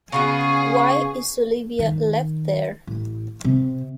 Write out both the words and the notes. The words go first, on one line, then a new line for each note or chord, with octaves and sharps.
Why is Olivia left there?
C#3 B3 F#4 G#4 F5 C#6
D#3
A1
C3